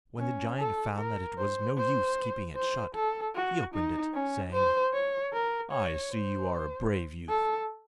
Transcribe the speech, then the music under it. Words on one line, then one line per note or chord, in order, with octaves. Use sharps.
When the giant found that it was no use keeping it shut, he opened it, saying: 'I see you are a brave youth.
C#4
A4
A#4
C5
C5
C5
A4
F#4
D#4
C#4
C5
C#5
A#4
C#5
C5
A4